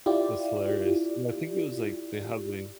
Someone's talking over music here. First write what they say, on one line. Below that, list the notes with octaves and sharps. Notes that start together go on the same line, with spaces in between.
That's hilarious. Yeah, I think it was like they how they
E4 F4 G4 D5